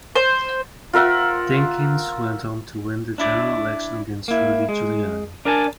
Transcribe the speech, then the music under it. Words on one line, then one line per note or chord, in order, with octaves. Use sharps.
Dinkins went on to win the general election against Rudy Giuliani.
C5
F4 A#4 E5 F#5
D4 E4 D5
A#3 E4
G#3
D4 A#4 D5 G#5 A5